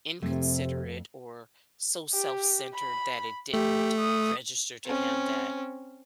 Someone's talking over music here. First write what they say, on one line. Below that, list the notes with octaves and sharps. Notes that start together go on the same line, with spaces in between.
inconsiderate or so self-centered that it didn't register to him that
F2 C3 A3
G4
B5
A3 G4
D#6
C4 C#4